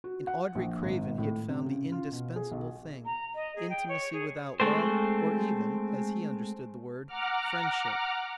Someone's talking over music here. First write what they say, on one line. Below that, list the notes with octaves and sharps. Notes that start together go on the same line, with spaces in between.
In Audrey Craven he had found the indispensable thing--intimacy without love, or even, as he understood the word, friendship.
F#4
F#5
A#1
G#1
A2
C3
C#3
F4
B2
G#4
B1
A#5
D#5
G#4
G5
C#5
G#4
G#3 A3 C4 C5
F#5 A#5 D6 F6